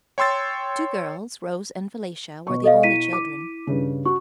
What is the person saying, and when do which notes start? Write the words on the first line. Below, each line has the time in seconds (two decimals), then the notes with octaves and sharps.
The two girls, Rose and Felicia, were the only children.
0.18 C#5 G5 C6 E6 A6
2.47 B2 C#6
2.64 A4 D#5 F5
2.83 E4 B6 D#7
3.13 D6
3.67 G2 C#3
4.06 F#4 C#6